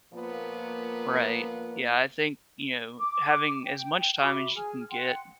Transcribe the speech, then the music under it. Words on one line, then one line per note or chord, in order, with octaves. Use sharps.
Right. Yeah, I think, you know, having as much time as you can get,
A#2 F3 A#3 B3
D6
G5
F#4 E5 B5 D6
G#4 G#5 F6
F#5 G5 C6